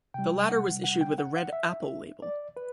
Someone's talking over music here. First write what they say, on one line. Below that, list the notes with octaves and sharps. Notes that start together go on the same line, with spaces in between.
The latter was issued with a red Apple label.
C3 G3 G5
F#5
F#5
G5
F#5
F#5
E5
D5
B4